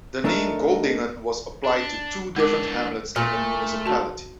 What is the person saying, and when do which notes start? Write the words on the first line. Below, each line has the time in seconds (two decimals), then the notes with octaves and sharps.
The name Goldingen was applied to two different hamlets in the municipality.
0.24 A3 D4 D#4 A4 A#4
1.65 D4
2.36 E3 G#3 D4 A#4 D6
3.16 A#2 A3
3.86 F#4 A5